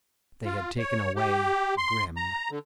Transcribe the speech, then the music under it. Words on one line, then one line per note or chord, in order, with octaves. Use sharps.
They had taken away Grimm.
F4
C#5
G4
C6
A#5
D3